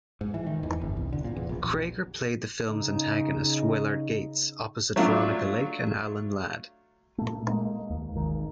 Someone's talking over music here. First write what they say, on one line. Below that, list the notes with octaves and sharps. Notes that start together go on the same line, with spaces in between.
Cregar played the film's antagonist, Willard Gates, opposite Veronica Lake and Alan Ladd.
G#2
E3
D#3
E2
G1
C2
D3
A#2
E2
A#1
C#3 D#4
F#3 A3 D4 F4
A#2 A3
G#3 A#3
D#2
G#1 D#3